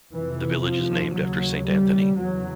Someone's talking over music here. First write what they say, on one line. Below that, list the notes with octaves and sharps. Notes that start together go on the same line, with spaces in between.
The village is named after Saint Anthony.
F2 C3 E3
F3
D#2 C#3 F#3
G3
E2 C#3 F#3